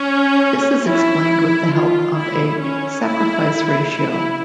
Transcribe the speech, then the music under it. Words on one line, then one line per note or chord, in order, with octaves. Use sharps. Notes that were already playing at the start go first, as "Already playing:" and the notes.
This is explained with the help of a "sacrifice ratio".
Already playing: C#4
E4
F4
E4
C#4
E4
E4